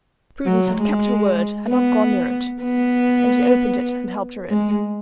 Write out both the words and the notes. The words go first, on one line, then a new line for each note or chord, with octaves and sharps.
Prudence had kept her word, and not gone near it; and he opened it, and helped her in.
F#3
G#3
B3
B3
G#3